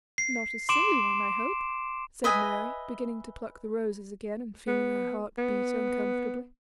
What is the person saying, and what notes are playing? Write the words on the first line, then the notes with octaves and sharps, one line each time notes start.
"Not a silly one, I hope," said Mary, beginning to pluck the roses again, and feeling her heart beat uncomfortably.
C7
C6 D6 D7 E7
B4 D#5 E5 G#5
B3
B3